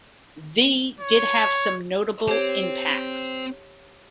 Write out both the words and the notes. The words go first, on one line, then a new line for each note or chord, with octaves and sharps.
V did have some notable impacts.
C#5
C4 G4 C#5